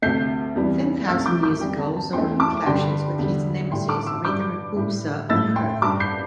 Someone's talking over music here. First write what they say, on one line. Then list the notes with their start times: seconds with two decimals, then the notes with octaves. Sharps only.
Ten thousand years ago, Zordon clashes with his nemesis, Rita Repulsa, on Earth.
0.02 D2 C3 A3 G6 C7
0.56 E2 C3 E3 G3
1.08 C2 C3 A3 E6 A6
1.19 A6
1.26 D6 G6
1.43 D6 G6
1.61 E2 C3 G3 G5
1.79 A5
1.97 A5
2.13 E2 E3 A3 G5 C6
2.40 A5 D6
2.66 G2 D3 G3 G5 C6
3.19 E2 D3 G3
3.71 A2 G5 C6
3.75 G3
3.89 A5 D6
4.06 C6 E6
4.24 G2 G3 D6 G6
4.76 A2 G3
5.29 A2 A3 E6 A6
5.56 G5 C6
5.82 G2 G3 A5 D6
6.00 G6 C7